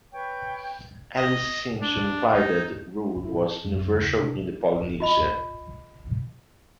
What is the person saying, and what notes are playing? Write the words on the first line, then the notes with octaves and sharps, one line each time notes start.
Ellis seems to imply that the rule was universal in Polynesia.
B4 C#5 G5
D#5
D4
D#4
E4 A4
G#4 A5
F#2
D#2 C#3
C3 D4
F4 D#5 B5